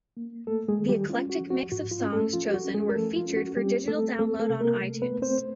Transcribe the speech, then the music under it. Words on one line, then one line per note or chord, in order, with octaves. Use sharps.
The eclectic mix of songs chosen were featured for digital download on iTunes.
A#3
A3 A#3 A4
G#3 G#4
D#3
G3 G4
C#4 F4
F#4
F3
F#4
G#2 F#4
F4
C#4
A3 A4
F3 F4
G4
F#4
C#4
G#3 G#4
A#4
F3 A3 A4
F4
C#4
F#4
G3 C4 G4
A3 C4 A4
A3 C4 A4
A3 A4
C3
A#3 A#4
A3
B3 B4
A3
C4 C5